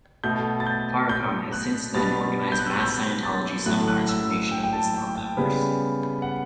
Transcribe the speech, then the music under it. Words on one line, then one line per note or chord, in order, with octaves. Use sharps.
Farrakhan has since then organized mass Scientology seminars for Nation of Islam members.
B2 A3 G6
A6
G6
G6
F#6
B2 G3 B3 A6
G6
F#6
E6
F#6
G6
A6
A2 F#3 A3 F#6
F#6
E6
E6
G5
G5
A5
G5
G5
C#3 G3 B3
F#5